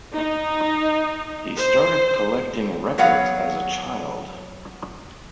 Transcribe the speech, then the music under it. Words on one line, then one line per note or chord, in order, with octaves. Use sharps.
He started collecting records as a child.
D#4
C5
F#3 B3 C#5 F5 F#5